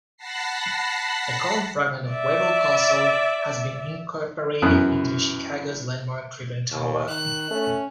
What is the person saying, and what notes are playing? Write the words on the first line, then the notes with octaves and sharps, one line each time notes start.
A column fragment of Wawel Castle has been incorporated into Chicago's landmark Tribune Tower.
F#5 A5 B5 A#6 C7
D5 E5
F#2 E3 B3 D#6 F#6
D#2
D#3 F#6
A3 C#4